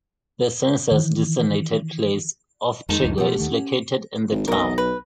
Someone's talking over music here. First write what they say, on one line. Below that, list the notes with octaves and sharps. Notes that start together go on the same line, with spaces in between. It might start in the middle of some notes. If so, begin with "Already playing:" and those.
The census-designated place of Trego is located in the town.
D#3 E3
F2 D#3 G#3 D#4 A5
C#2 F#2 E3
B2 F3 G4 F#5
D#2 D#3 A3
C#4
G#1
B1 A#4 D#5
B4